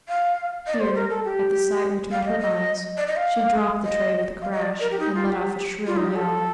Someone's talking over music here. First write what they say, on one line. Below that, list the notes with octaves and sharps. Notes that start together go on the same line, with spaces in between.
Here, at the sight which met her eyes, she dropped the tray with a crash, and let off a shrill yell.
F5
D#5
D5
C5
A#4
A4
G4
F5
D#5
D#5
D5
D#5
F5
D#5
F5
D#5
D5
A#4
G4
D#4
F4
G4
F4
D#4
G4
A4